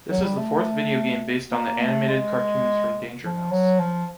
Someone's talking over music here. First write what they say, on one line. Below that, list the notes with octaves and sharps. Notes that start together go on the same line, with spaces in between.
This is the fourth videogame based on the animated cartoons from Danger Mouse.
F#3
G3
A3
A#3
A3
G#3
F3
F#3
F3